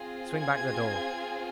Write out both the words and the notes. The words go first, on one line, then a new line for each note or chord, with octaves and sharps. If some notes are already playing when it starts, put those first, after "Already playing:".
Swing back the door.
Already playing: C4 F4 G#4
G#6